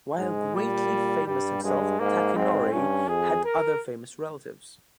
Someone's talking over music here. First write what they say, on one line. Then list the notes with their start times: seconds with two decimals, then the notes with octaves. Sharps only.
While greatly famous himself, Takenori had other famous relatives.
0.18 G#2 G#3
0.55 A#2 G3
1.27 G2 G3
1.63 G2 G#3
1.99 G#2 A#3
2.36 G#2 C4
2.72 G2 C#4
3.08 F2 G#4
3.44 A#4